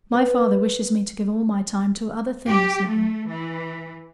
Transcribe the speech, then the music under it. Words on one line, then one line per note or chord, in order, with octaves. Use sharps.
"My father wishes me to give all my time to other things now."
B3
G4
A3
E3